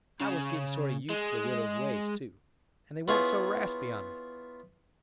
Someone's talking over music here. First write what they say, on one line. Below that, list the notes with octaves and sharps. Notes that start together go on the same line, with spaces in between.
I was getting sort of used to the widow's ways, too, and they warn't so raspy on me.
C#3
G#3
B3 E4 F4 G#4 C#5